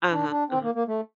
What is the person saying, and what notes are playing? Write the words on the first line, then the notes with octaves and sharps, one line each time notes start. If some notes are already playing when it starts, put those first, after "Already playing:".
Uh-huh. Uh-huh.
D4
D4
C4
A#3
A#3
A3